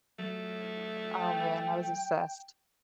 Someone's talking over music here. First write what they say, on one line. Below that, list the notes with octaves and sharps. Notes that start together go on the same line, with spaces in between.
Oh, man. I was obsessed.
F#3 A3
G5